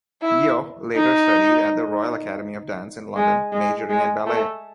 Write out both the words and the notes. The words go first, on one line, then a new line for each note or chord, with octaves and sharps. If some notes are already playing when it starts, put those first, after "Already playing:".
Yeoh later studied at the Royal Academy of Dance in London, majoring in ballet.
E4
D#4
G#3
G#3
G#3
A3